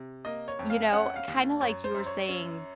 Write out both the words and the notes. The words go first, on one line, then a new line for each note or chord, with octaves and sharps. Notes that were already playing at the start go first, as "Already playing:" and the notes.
you know, kinda like you were saying
Already playing: C3
A#3 D#5
C#5
F2
F5
C#4 F#5
F5
D#2
F#2 C#5
C5
F#2
C#5
C#4